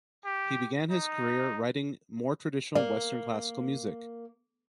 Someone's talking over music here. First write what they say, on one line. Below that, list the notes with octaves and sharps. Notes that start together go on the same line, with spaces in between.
He began his career writing more traditional Western classical music.
G4
D#4
A#3 D5